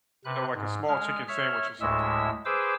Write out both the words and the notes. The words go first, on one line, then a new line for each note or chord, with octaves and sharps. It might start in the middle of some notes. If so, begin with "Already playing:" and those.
you know, like, a small chicken sandwich or something.
C3 B4 F#6
G#2
G#3 F6
C#5 E5 F6
D2 A2 G#3 E5 E6
G#4 B4 C5 D6 E6